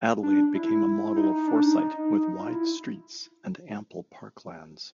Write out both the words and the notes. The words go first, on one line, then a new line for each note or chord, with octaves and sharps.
Adelaide became a model of foresight with wide streets and ample parklands.
D4
E4
D#4
D4
D#4
F4
E4